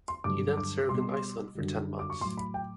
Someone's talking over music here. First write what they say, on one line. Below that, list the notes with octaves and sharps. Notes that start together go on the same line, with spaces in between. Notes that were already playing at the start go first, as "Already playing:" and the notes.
He then served in Iceland for ten months.
C6
G2 D3 F#3 D6
D6
B2 G3 C6
F#2 D3 G3
D6
C#6
A2 F#3 C6
B5
G5